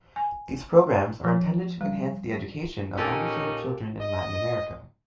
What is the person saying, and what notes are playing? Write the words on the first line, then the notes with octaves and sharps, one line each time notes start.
These programs are intended to enhance the education of underserved children in Latin America.
G#5
F3
G3
A#2 C#4 D#4 G4 A4
D#5